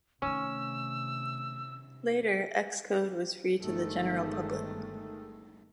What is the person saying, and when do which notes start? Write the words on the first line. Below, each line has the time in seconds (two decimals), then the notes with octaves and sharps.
Later, Xcode was free to the general public.
0.22 C3 D#3 A3 C#4 E6
3.62 G1 D#3 G#3 A3